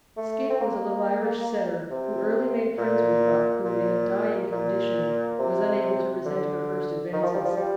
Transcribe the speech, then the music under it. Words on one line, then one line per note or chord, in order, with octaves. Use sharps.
Skeet was a little Irish setter who early made friends with Buck, who, in a dying condition, was unable to resent her first advances.
A3
C4
A#3
C3
A#2
A#2
A#2
C3
D3
D#3
F3
G3
F3
G3